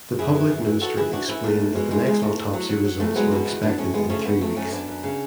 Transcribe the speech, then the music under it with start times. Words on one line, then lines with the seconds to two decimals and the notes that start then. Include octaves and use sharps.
The Public Ministry explained that the next autopsy results were expected in three weeks.
0.19 F#2 E4 G#4
0.35 E3
0.50 F#2
0.66 E3
0.81 E3 F#4 A4
0.97 E3 E4 G#4
1.12 E3 D4 F#4
1.28 E3 C#4 E4
1.44 E2 A3
1.59 B2
1.75 B2 G#3
1.91 E2 G#3
2.06 E2 G#3
2.22 E2 A3
2.38 E2
2.53 F#3
2.69 F#3
2.84 F#3
3.00 E2 A3
3.15 F#3 G#3 B3
3.31 B2
3.47 E2
3.62 F#3 B3 D4
3.78 E2 A3 C#4
3.93 F#2 G#3 B3
4.09 C#3 A3 C#4
4.25 C#3 G#3 B3
4.41 F#3 A3
4.56 F#2 A3 C#4
4.72 F#2 B3 D4
4.88 F#2
5.03 C#3